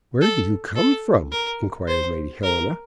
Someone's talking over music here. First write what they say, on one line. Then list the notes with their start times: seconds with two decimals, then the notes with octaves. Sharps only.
"Where do you come from?" inquired Lady Helena.
0.21 A4
0.75 A4
1.31 A#4
1.87 C5
2.43 A#4